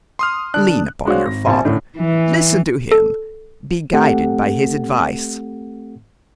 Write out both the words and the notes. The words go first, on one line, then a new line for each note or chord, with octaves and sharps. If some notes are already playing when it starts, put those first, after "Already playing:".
Lean upon your father, listen to him, be guided by his advice.
C6 D#6 F6
D3 D4 F#6
G#3 D4 F#4 C5 C#5 F5
G#1 A#6
A#1 C3 C5 G#5 A5
A2 D3 C#4
E3
A4
A3 C4 G4 A4 F#5